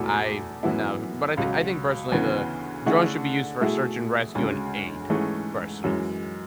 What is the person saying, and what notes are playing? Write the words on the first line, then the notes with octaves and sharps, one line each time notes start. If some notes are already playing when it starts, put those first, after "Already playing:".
I've nev but I think I think personally the drone should be used for a search and rescue and aid, personally.
Already playing: E2 B2 A3 E4 A4
F#2 E3 B3 E4
C#2 B2 F#3
D2 C#3 E3 B3
D3 A3 C#4 E4 G#4
B2 A3 E4 G#4
D2 C#3 G#3
G#2 E3 A3 C#4 G#4
F#2 E3 G#3